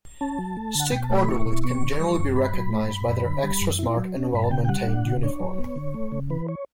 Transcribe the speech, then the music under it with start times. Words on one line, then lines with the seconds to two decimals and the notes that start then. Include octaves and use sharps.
Stick Orderlies can generally be recognized by their extra-smart and well-maintained uniform.
0.21 C#4 A5
0.38 F#3
0.57 A3
0.75 D3 F#5
0.91 B2 G5
1.04 A5
1.10 A3
1.17 B5
1.28 E4 C#6
1.46 B2
1.64 B3 C#6
1.82 D3
2.00 G3
2.18 F#2
2.36 G2 B5
2.53 F#3
2.71 A3
2.89 G2
3.08 F#2
3.26 D3
3.43 G3
3.61 F#2
3.79 E4
3.97 F#3
4.15 C#4
4.33 G2 B5
4.44 A5
4.51 C#3 G5
4.65 G5
4.69 G3 F#5
4.87 D4
5.04 C#3
5.23 D4 C#5
5.40 F#3
5.58 B3
5.76 D3
5.94 A3
6.12 C#3
6.30 E3 B4
6.48 C#5